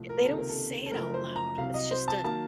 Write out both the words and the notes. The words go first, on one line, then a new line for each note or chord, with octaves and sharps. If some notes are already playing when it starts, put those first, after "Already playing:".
Yeah, they don't say it out loud, it's just a
Already playing: C2 A#2 F3 A3
A#4
C#2 C3 D#3 A#3 A4
A#4
A4
A4
F#1 F#2 F3 A3 A#4
C5
A#5
C2 C3 F#3 F5
D#5
C5
A5
D#3 F#3 A#3 A5